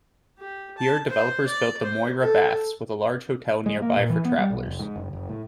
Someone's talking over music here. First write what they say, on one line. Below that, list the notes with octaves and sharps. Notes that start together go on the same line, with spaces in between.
Here developers built the Moira Baths, with a large hotel nearby for travellers.
G4
A5
C5
D5
C5
A4
G#3
A#3
A#2
E3
B3
G3
B1
F1
G#2
F#1
F#1
A2